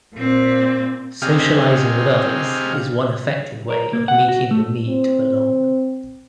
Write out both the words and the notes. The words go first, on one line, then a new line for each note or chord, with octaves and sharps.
Socializing with others is one effective way of meeting the need to belong.
A#2 C4
C3 G4 G#4 D#5 F5 F6
A#4
A#3
F#5
F#4
A3
C4